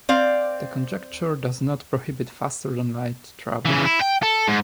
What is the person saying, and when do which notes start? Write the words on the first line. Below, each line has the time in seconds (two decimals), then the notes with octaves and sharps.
The conjecture does not prohibit faster-than-light travel.
0.09 C4 D5 F5
3.66 C#3 E3
3.85 E4
4.02 G5
4.23 A4
4.48 G#2